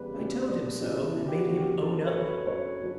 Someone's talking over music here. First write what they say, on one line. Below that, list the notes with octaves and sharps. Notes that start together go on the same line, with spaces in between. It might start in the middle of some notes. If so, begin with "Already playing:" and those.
I told him so, and made him own up.
Already playing: E2 C#3 G3 B4
C#3 G3
E2 D4
C#3 G3 D4
E4
D4
E2 E4
G4
F#4
C#3 G3
G4
F#2 A4
C#5
D3 F#3 B4
F#2 C#5
D3 F#3